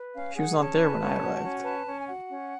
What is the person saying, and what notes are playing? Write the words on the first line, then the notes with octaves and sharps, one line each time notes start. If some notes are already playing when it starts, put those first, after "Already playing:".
She was not there when I arrived.
Already playing: B4
C#4 F5
G#4 F#5
G#5
C#4 A5
B4
C#4
F#4
C#4
B4 A5
C#4
G#5
F#4 F#5
C#4